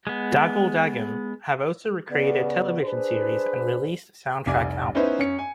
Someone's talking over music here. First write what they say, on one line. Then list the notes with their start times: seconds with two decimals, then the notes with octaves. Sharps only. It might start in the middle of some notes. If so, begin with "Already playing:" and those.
Dagoll Dagom have also created television series and released soundtrack albums.
0.07 G#3 B3
2.11 C#3 B3 D5
2.83 D4 G#4 B4 C5
4.46 F1 C2 G#5 D6
4.95 B3 C#4 D#4 E4 B4 C5
5.18 F#2 C#4 C#7
5.39 G#5